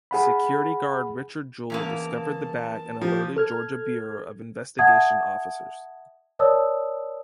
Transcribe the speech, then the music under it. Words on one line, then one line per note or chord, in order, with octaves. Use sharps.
Security guard Richard Jewell discovered the bag and alerted Georgia Bureau of Investigation officers.
G#4 F#5 B5
E2 C#3 A#3 A5
F3 G4
A4 F6 G#6
E5 F#5 A5 D#6 G#6
A#4 C#5 D5 A5 D#6 E6